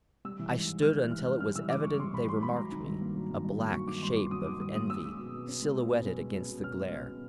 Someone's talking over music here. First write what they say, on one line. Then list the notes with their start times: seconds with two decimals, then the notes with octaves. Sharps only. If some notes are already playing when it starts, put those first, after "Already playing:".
I stood until it was evident they remarked me, a black shape of envy, silhouetted against the glare.
0.25 G3 E6
0.39 E3
0.54 G#2
0.68 G#2
0.82 G3 F6
0.97 E3 F#6
1.11 G#2 F6
1.26 G#2 F6
1.40 G3 F6
1.55 E3 E6
1.70 G#2 D6
1.84 G#2 C#6
1.99 G3 C6
2.13 E3 B5
2.29 G#2 C6
2.42 G#2 B5
2.57 F#3 A#5
2.72 D#3
2.86 G2
3.01 A#3
3.15 F#3
3.30 D#3
3.44 G2
3.58 A#3
3.73 F#3 C#6
3.88 D#3 D6
4.03 G2 C6
4.16 A#3 D6
4.31 F#3 D#6
4.46 D#3 D6
4.60 G2 D#6
4.75 A#3 D#6
4.90 C#4 E6
5.04 G#3
5.19 B2
5.34 B2
5.48 C#4
5.62 G#3
5.76 B2
5.91 B2
6.06 C#4
6.21 G#3
6.35 B2
6.50 B2
6.64 C#4 F6
6.79 G#3
6.93 B2
7.07 B2